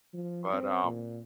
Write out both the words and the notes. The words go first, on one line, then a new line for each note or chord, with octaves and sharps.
But, um
F3
C4
A#2